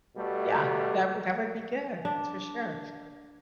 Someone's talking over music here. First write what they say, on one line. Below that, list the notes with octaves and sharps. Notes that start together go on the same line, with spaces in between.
Yeah. That would that would be good. That's for sure.
B2 G3 A3
D4